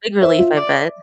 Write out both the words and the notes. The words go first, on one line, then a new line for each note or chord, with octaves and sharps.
big relief, I bet.
C5 E5
F4
D5